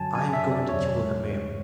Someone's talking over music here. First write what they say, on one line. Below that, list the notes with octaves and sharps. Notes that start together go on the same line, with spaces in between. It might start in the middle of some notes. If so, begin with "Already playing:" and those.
I am going to kill that man.
Already playing: F#2 D3 F#3 G#5 A5
F#2 G#5
E5
D3 F#3
D5
E2 C#5
C#3 G#3
E2